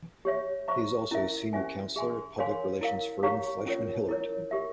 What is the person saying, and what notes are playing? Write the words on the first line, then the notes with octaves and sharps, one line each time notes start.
He is also a senior counselor at public relations firm Fleishman-Hillard.
G4 C#5 E5
C5 E5 A#5 C#6
C#4 E4 A#4 E5
C#4 G4 C5 E5 G#5
G#4 E5 G#5 C6
A#4 C#5 F5 G#5 C6
E4 A#4 F5
G4 C#5 F5 A#5 C#6
C#4 F4 A#4 C#5
E4 A#4 C#5
G4 A#4 E5